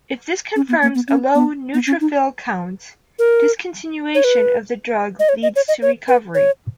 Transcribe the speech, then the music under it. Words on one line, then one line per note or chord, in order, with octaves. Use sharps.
If this confirms a low neutrophil count, discontinuation of the drug leads to recovery.
C#4
B3
A#3
B3
C#4
B3
B3
C#4
D#4
A#4
C#5
B4
D#5
C#5
D#5
C#5
D#5
C#5
B4
C#5